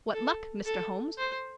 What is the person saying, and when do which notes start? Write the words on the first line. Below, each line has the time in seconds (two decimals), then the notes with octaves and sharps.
"What luck, Mr. Holmes?"
0.13 A4
0.66 A4
1.18 C5